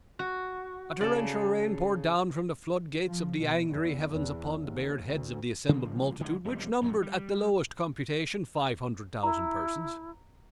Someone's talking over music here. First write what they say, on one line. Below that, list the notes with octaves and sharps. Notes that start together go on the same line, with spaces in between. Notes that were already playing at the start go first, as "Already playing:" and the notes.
A torrential rain poured down from the floodgates of the angry heavens upon the bared heads of the assembled multitude which numbered at the lowest computation five hundred thousand persons.
F#4
C#3 A4 D5
F3
B2
E2
E2
D#2
D2
C#3 F3 G3 A#3
D3 E3 G3 G#3
E1 F2 F#3 G3
A#1 F#2 A#2
G3
E4 A#5